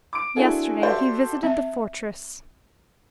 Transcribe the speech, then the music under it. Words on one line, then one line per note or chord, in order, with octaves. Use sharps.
Yesterday he visited the fortress.
D6 D7
C4 D4 E4 F#4 G#4 A4
F#4 G4 A4 C5 D5 E5
C4 E5